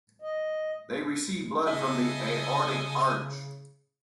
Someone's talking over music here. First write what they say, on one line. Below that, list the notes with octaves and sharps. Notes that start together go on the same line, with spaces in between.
They receive blood from the aortic arch.
D#5
C#3 E4 A4 D#5 G#5